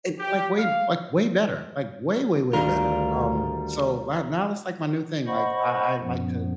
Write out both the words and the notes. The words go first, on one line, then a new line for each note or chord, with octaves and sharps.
and, like, way, like, way better, like, way way way better, um, so, right now it's, like, my new thing, like, I I like to
G4
F5
D2 D#3 G3 D4 F4 F#4 A#4
C5 D#5 F#5 B5 C#6
F#2 A#2 F3 B3